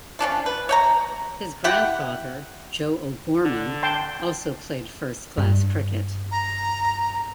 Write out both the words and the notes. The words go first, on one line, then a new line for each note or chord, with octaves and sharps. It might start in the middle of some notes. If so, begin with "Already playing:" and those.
His grandfather, Joe O'Gorman, also played first-class cricket.
F3 C#4 D4 F4
B4
C#5 G5 A#5
E4 G4 F#5 G5
D3
G5 A5 C6
G2
A#5